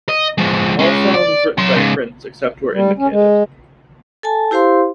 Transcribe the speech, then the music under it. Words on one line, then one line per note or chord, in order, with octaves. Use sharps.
All songs written by Prince, except where indicated.
D#5
F3 G#3
G#3 C#4
D5
F#3 C6
G#2 C#3
G3
C#4
G#3
A4 G#5 A5
E4 G4 C5 F5 C6